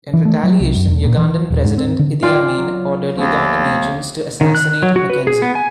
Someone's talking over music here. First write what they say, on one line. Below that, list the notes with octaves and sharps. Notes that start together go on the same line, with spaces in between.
In retaliation, Ugandan President Idi Amin ordered Ugandan agents to assassinate McKenzie.
E3
A3
F#3
C2
F#2
E1
A#2
E3
D#1
G#2
C4
D3
F4 D5 G5 G#5 C6
F#3
D#2 F3 A3 B3
D#3
F#6
F#3
F#4
B4
G#4
B3
G#5